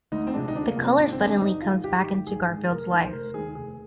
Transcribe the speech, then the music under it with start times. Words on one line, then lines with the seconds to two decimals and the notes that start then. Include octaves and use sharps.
The color suddenly comes back into Garfield's life.
0.12 D2 D#4
0.27 C4
0.33 C3 F3 G#3 D4
0.48 D#4
0.55 D2 D4
0.70 A#3
0.77 C3 F3 G#3
0.84 C4
0.97 G#1 D4
1.12 C4
1.20 G#2 D#3 G#3
1.26 D4
1.41 G#1 D#4
1.62 G#2 D#3 G#3 F4
1.84 G#1 G4
2.05 G#2 D#3 G#3
2.26 G#1 G#4
2.48 G#2 D#3 G#3
2.70 F1 A#4
2.91 D#2 D#3 C5
3.04 C5
3.12 F1 A#4
3.34 D#2 D#3 G#4
3.55 F1 G#4